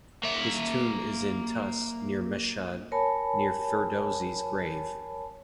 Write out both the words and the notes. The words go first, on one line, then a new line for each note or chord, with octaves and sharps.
His tomb is in Tus near Mashhad, near Ferdowsi's grave.
A#3 E5
A#4 C#5 G#5 A5 B5